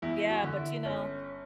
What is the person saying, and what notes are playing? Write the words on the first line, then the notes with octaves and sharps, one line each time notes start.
Yeah, but, you know,
E2 E4
F#4
D3
E4
G1 C#4